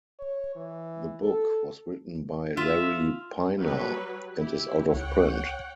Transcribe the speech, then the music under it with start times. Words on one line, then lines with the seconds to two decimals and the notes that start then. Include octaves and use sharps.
The book was written by Larry Pina and is out of print.
0.19 C#5
0.56 E3
1.22 A4
2.57 F4 E5
3.60 F#3 G3 B4
4.39 E4 G4
4.94 C#2 C#5 F#5 G5